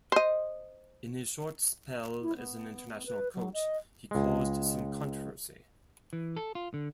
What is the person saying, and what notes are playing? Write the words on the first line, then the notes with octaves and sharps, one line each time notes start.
In his short spell as an international coach, he caused some controversy.
C5 D#5
E4
B3
B4
F#3
D#5
C#2 G#3
E3
A4
F4
D3